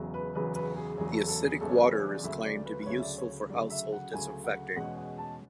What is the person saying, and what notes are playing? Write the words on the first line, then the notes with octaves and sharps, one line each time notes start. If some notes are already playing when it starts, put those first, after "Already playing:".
The acidic water is claimed to be useful for household disinfecting.
Already playing: E1 E2 C#3 F#3
B4
E1 E2 C#3 F#3 B4
B4
G#4
E1 E2 C#3 F#3 G#4
A4
A4
G#4
E1 E2 C#3 F#3 A4
C#5
B4
C#5
D5
D2 C#3 F#3 E5
D5
B4
B4
D2 C#3 F#3 C#5
E5
D5
C#5
D2 C#3 F#3 D5
E5
F#5
D2 C#3 F#3 G#5
F#5
E2 B2 G#3 C#4 F#5
F#5
A5